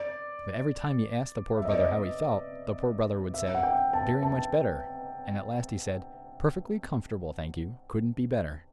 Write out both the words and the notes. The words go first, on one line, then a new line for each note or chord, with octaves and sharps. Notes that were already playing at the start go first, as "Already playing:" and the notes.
But every time he asked the Poor Brother how he felt, the Poor Brother would say, "Very much better"; and at last he said, "Perfectly comfortable, thank you; couldn't be better."
Already playing: D5
E5
D#5
D5
D#5
E5
F#5
G5
A5
A5